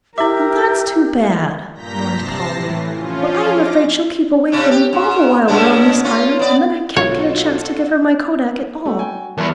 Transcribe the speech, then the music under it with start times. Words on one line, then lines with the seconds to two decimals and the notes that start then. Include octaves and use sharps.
"Now that's too bad," mourned Polly, "for I'm afraid she'll keep away from me all the while we're on this island, and then I can't get a chance to give her my kodak at all."
0.18 E4 G4 A#4 E5 D6
1.74 G2 A#2 A#5 G6 A#6 B6
2.09 C3 A5 A#6 C7
2.50 A2 E3
2.94 F3 C#4 F4
3.48 D6 A#6
4.52 C3 C#4 D4
4.71 G4
4.93 G#2
5.48 A#2 C#3 D4
6.04 C#4 F4
6.39 B3 D5
6.96 B1 F4 F#4 A4 C#5
8.86 A3 F#4
8.99 G5 G#5
9.38 E2 G3 A#4 A5